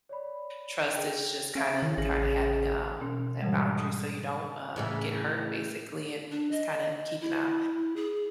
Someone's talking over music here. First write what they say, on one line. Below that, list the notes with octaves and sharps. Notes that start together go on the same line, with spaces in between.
trust is just kind of, kinda having, um, that boundary so you don't, uh, get hurt basically and just kinda keeping a
C#5 D5 B5
G#4 A#4 G5
C#4 E5 F5 D7
D#3 E4
A1 C#3 G#5 A#6 F#7
B2 C#4
G#2 B2 D3 E3 G3 G#3
D#6
A2 C#3 E3
D4
D#5
E4
G#4